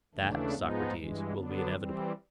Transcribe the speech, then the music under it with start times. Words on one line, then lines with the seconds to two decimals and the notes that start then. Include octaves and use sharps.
That, Socrates, will be inevitable.
0.14 D#2 C#3 E3 A3 D4
0.54 G#2 F3 G#3 B3 D#4
0.94 G2 E3 G#3
1.33 D3 F#3 B3 D4
1.73 E3 G3 C4